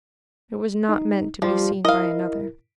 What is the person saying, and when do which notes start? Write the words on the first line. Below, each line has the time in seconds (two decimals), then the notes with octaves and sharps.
It was not meant to be seen by another.
0.89 D#4
1.42 F3 G3 F4 G4
1.85 E4 A#4 D#5 F5